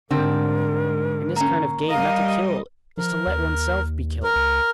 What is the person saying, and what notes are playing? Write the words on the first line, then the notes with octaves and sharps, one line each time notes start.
In this kind of game, not to kill is to let one's self be killed.
G#2 D3 G3 C4 A#4
A#3 C#4
G3 A#4 D#5 F5
F3 A#4
D#2
A#4
C#2